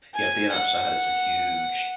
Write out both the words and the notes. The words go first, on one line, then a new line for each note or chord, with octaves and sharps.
Yeah, being outside is a huge
G#5
F#5